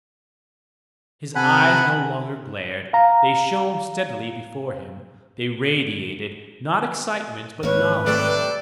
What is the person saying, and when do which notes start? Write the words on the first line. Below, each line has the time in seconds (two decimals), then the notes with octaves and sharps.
His eyes no longer glared; they shone steadily before him, they radiated, not excitement, but knowledge.
1.36 C3 A4 B4 F#5 G#5 B5
2.93 F5 A#5
7.63 G#1 A#3 B4 C#5
8.06 C3 G3 A3 D4 A4 D5